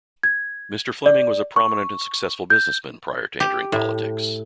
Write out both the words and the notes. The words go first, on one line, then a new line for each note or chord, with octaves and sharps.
Mr. Fleming was a prominent and successful businessman prior to entering politics.
G#6
D5
C#6
G6
G4
A2